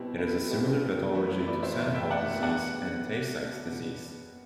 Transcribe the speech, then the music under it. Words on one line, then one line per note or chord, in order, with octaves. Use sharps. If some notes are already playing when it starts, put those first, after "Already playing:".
It has a similar pathology to Sandhoff disease and Tay-Sachs disease.
Already playing: B2 G3 C4 E4
E4
B2 G3 C4 E4
F#2 E3 A3 E4 F#4
E4
B4 D5
C5 E5
F#2 E3 A3 E4
E5 G5
D5 F#5
B2 G3 D4 D5 F#5